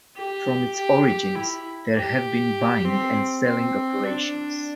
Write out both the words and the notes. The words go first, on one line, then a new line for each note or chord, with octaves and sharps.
From its origins, there have been buying and selling operations.
G4
G4
G4
E4
G4
C4
C4
D4